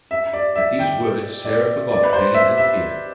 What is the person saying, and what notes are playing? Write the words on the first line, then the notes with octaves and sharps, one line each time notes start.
At these words Sarah forgot pain and fear.
E5
D5
E5
G5
D5
D5
B4
C5
E5
E5